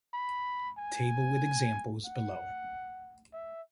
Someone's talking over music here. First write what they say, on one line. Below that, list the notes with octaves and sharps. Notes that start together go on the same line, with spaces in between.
Table with examples below.
B5
G#5
F#5
E5